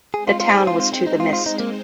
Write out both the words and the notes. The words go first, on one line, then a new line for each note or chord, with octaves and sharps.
The town was to the Mist.
G#3 C4 D#4 G#4 C5
F4
F4
G#4
F4
F4
C4
D#4
F4
F4
D#4
A#3